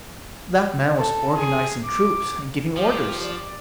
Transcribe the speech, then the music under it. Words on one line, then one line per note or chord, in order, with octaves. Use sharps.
That man was organizing troops and giving orders.
A4
G#4
D6
F3 G4
D5